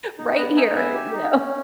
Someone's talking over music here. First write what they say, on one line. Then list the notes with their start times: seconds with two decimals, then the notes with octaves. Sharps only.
right here." You know?
0.18 D#4
0.36 B3 B4 D#5
0.56 D#4 E5 G#5
0.75 B3 E5 G#5
0.94 G4
1.13 D#4
1.33 C#4